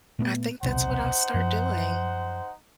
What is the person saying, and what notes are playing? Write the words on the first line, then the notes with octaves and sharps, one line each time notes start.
I think that's what I'll start doing.
A#2 A3 B3
D#1 B1 C3 D#4 C5 F#5
F#2 F3